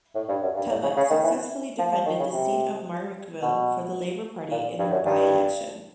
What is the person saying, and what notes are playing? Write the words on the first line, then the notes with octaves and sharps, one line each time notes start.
Tebbutt successfully defended the seat of Marrickville for the Labor Party in her by-election.
A2
G2
F#2
G2
A2
C#3
C#3
D#3
E3
F3
F3
D#3
C#3
C3
B2
A#2
G2
F#2
G2